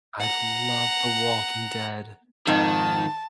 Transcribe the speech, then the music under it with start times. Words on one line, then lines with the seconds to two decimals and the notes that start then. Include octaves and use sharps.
I love The Walking Dead.
0.20 F#5 A#5
2.47 F2 G#2 D#3 A5